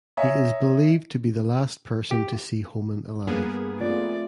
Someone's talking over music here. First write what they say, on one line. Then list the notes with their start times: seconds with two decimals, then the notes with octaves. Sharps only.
He is believed to be the last person to see Homan alive.
0.17 C#5 D#5 E5 G#5 A#5
2.11 G4
3.27 G2 A#3 B3 G#4
3.80 A3 C4 F4 D5